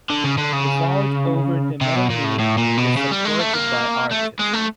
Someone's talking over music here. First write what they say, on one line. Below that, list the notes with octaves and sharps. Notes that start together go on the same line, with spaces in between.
The vault over the middle nave is supported by arches.
D3
C#3
D3
C#3
C3
B2
A#2
A2
A2
A#2
B2
C#3
G3
G#3
A3
A#3
A3
G#3
A3